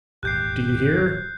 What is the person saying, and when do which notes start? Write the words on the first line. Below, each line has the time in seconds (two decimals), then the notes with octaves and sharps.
Do you hear?
0.23 D#1 G#1 D2 G4 F#6 G6 C7